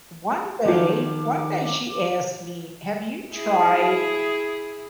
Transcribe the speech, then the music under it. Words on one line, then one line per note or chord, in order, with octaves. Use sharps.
One day one day, she asked me, "Have you tried
D#3 F3 F#3 D6
E4 G#4